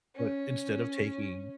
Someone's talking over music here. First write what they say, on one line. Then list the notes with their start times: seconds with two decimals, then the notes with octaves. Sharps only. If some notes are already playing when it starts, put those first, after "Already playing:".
but instead of taking
0.16 C#4